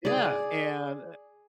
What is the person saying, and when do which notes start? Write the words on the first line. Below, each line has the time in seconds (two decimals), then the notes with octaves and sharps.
Yeah, and
0.05 G#4 D5